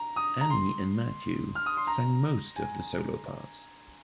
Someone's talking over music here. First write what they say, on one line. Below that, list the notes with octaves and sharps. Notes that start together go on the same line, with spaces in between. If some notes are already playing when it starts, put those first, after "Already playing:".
Annie and Matthew sang most of the solo parts.
Already playing: A#5
D#6
A#5
C6
F6
D#6
C6
A#5
G#5